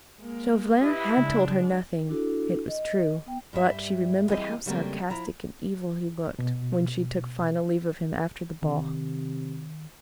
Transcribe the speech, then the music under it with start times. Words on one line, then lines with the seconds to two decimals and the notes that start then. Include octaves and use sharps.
Chauvelin had told her nothing, it was true; but she remembered how sarcastic and evil he looked when she took final leave of him after the ball.
0.20 G#3 A#3
0.82 E4 G4 B4 D#5
1.17 C#3 G#3 D4
2.09 D4 E4 F#4 A4
2.68 D#5
3.26 B3 G5
3.53 G2 G3 B4 E5
4.30 E3 G3 C4 G4 G#4 D#5
4.66 C#3 F#3 G3 A3 A#3 C4
5.10 F3 E4 A#5
6.39 B2
8.62 C3 D#3